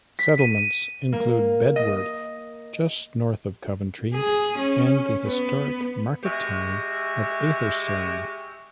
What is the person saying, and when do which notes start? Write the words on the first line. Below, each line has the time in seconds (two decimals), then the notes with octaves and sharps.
Settlements include Bedworth, just north of Coventry, and the historic market town of Atherstone.
0.19 B6
0.39 D#7
1.12 A#3
1.76 D#5
4.14 G#4
4.59 C#4
5.25 B3
6.24 G#3 F#4 G4 E5